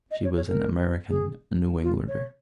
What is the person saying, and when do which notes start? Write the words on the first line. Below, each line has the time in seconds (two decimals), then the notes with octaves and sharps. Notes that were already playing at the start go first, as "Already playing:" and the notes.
She was an American, a New Englander.
0.11 D#5
0.24 C#5
0.36 C#5
0.48 A#4
1.10 G#4
1.83 F4
2.08 C#5